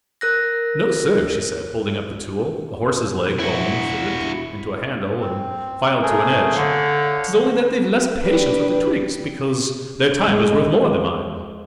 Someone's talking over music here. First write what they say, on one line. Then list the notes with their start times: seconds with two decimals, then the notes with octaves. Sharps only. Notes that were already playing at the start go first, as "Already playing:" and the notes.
"No, sir," she said, holding up the tool--a horse's leg-bone fitted into a handle and filed to an edge--"'tis only that they've less patience with the twigs, because their time is worth more than mine."
0.21 A#4 F#6 A#6
3.39 E4 F#4
5.20 C4
6.02 A3 G#4 A#4
6.55 D3 C#5 F5
8.21 D4 G4 B4
10.28 G#3